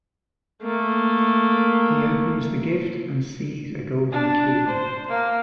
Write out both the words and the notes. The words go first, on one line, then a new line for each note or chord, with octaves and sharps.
He opens the gift and sees a golden key.
A3 A#3
D4
C5
A#3